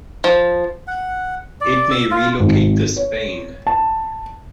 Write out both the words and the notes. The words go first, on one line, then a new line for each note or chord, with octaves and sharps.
It may relocate to Spain.
F3
F#5
D5
E6
F4
G#1
C#5
A5